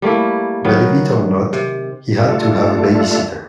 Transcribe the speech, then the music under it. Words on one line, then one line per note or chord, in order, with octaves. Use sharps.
Believe it or not, he had to have a babysitter.
G3 A3 A#3 E4
D#3 F#3 D#4 B4
C3
G3 A3 D4 F4 A4